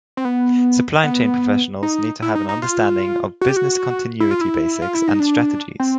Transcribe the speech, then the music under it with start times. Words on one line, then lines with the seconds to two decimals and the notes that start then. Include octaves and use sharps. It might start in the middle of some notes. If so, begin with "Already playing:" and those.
Supply chain professionals need to have an understanding of business continuity basics and strategies.
0.17 C4
0.25 B3
1.04 B3
1.83 D#4
2.22 E4
2.35 D#4
2.49 D#4
2.62 F4
3.41 F#4
3.49 G4
3.56 F#4
4.20 E4
4.31 F4
4.41 E4
4.82 F4
4.95 E4
5.08 D#4
5.20 D4
5.80 C4